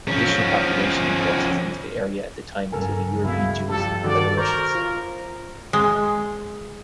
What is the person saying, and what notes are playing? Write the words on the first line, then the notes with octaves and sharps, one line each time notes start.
Additional population influxes into the area at this time included European Jews and Belarusians.
F3 C#4
G2 C#3 F#3 A4 A#4 G#5
C#2 B2 E4 F5
G2 F3 G4 A4
G2 D#3 F#4 A4 D5
A#4 C5 C#6 G6
F4 C5
G#3